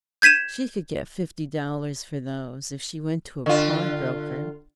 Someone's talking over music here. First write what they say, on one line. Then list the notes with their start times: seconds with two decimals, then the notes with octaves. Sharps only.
She could get fifty dollars for those if she went to a pawnbroker.
0.22 G6 G#6 B6 D#7 E7
3.46 D3 F4